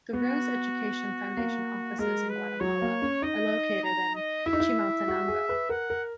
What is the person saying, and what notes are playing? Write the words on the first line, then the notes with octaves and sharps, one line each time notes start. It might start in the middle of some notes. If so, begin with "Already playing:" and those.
The Rose Education Foundation offices in Guatemala are located in Chimaltenango.
B3 F#4
A#3
G#3 A#4
B4
F#3 C#5
A#3
C#4
D#4 D#5
A#5
D#5
E4 E5
D#4
E4
F#4
G#4
B4
A#4 F#5
A#4